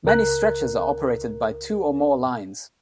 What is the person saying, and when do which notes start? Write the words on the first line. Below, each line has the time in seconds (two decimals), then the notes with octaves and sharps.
Many stretches are operated by two or more lines.
0.04 C#2 A#4 F#6